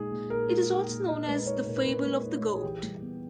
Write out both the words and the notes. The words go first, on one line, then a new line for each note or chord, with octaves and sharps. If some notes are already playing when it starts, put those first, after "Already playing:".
It is also known as "The Fable of the Goat".
Already playing: A#2 G#3 D#4 G#4
A#2
A#2 A#4
G#3
D#4
A#2
A#2 D#5
G#3 B4
D#4 C#5
A#2 A#4
B4
A#2 A#4
G#3
D#4
A#2
G#4
E3 G4
G3
B3